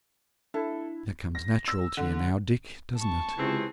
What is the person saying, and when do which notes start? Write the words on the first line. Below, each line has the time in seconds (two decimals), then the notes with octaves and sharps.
'That comes natural to you now, Dick, doesn't it?'
0.54 D4 E4 A4
1.35 A#6
1.68 E6
1.97 D3
2.98 A5 C#6
3.37 C#2 C3 E3 C4 G#4